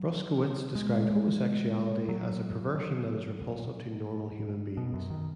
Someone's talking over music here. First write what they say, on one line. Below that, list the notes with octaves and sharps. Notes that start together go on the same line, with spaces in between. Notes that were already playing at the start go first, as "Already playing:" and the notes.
Bruskewitz described homosexuality as "a perversion that is repulsive to normal human beings".
Already playing: F#3
G#3
F#3
B2
F#2
D#3